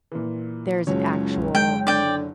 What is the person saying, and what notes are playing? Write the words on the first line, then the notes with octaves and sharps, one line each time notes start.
there's an actual
A#2 E3
F#1 C#2 F#3 C#5
A#1
G#3 G5
D3 D5 G5